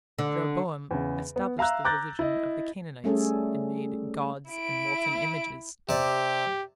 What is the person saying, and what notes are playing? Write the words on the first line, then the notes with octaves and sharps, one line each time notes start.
Jeroboam established the religion of the Canaanites and made "gods and molten images".
D3
E2 C#3
B3
E5 F5 A#5 E6 F#6
A#5 D6 F#6 G6 A6 A#6
E4 D#5
G3 A3 C#4 G#4 A4
E4 D7
C3 G4 D5